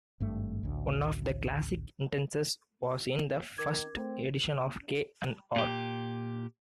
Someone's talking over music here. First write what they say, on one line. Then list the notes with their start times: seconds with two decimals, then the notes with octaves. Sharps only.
One of the classic instances was in the First Edition of K and R.
0.20 G#1 G2 A3
0.63 A1 D2
3.58 D#3 A#4 D6 G#6
3.97 A3 C4
5.56 A#2 G4